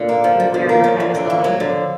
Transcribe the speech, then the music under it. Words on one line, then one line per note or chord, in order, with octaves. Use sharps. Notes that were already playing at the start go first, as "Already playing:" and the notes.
where your time is going
Already playing: A#2 D3
A#3
F3
D3
B2 D3
F3 A#3
F#3
F3
D3
D3
A#3
F#3
D3